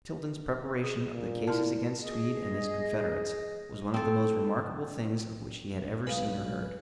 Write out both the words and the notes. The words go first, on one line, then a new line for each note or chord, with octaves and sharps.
Tilden's preparation of the cases against Tweed and his confederates was one of the most remarkable things of which he had ever seen or heard.
G#4
A#2
E4 A#4 A5
G#4 D#5
C4 A4
B1 G#3 B4 F5 D#6